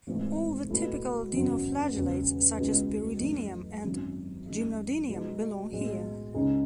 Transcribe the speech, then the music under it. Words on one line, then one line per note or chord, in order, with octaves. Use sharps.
All the "typical" dinoflagellates, such as "Peridinium" and "Gymnodinium", belong here.
G#1 G#2 E3 A3
B2 A3 E4 A4
F#1 E2 B2 F#3
E1 E2 C#3
C#2 B2 G#3 B3 E4
F#2 E3 A3 D#4
G#1 F#2 D#3
F#2 D#3 G#3
B2 G#3 D#4
B1 A2 G#3
C#2 C#3 G#3 D#4 G#4